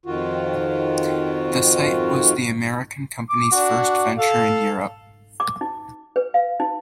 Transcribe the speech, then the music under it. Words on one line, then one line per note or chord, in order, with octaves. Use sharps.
The site was the American company's first venture in Europe.
F2 D#3 F4 F#4
D6
D4 F#4
A4 F5
D6
D#4
B4
F5
D#4